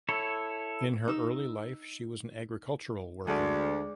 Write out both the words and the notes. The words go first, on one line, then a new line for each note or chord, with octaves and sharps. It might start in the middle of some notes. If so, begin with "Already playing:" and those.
In her early life she was an agricultural worker.
E4 A4 C#5
D#4 E6
D2 G#3 D5